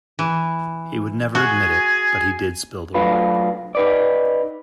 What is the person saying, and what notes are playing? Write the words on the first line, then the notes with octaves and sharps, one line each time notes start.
He would never admit it, but he did spill the wine.
E3
F#4 G#4 G#5
F#3 A3 D4 F4 B4
D#4 B4 D5